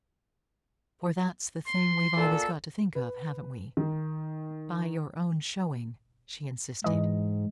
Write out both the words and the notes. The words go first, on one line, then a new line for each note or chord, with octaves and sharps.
"For that's the thing we've always got to think of--haven't we--by your own showing?" she insisted.
C6
A#2 A4
B4
D#3
G#2 E3 D#5